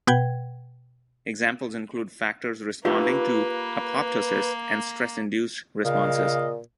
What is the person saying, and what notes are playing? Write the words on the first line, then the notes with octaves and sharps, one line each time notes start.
Examples include factors responding to apoptosis and stress-induced responses.
B2 B4 F#5 G5 G#6
A#3 F4 G4 A4 B4
A#2 C#3 D#5 F5